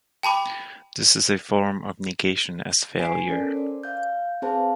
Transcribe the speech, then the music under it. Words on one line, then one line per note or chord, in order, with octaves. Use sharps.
This is a form of negation as failure.
G5 A5 B5 D6
B3 B4 G#5 B6 C7 D7
C#4 A4 A#4 D5
C5 D5
F5 G6
C4 G#4 B4 C5 F5 A5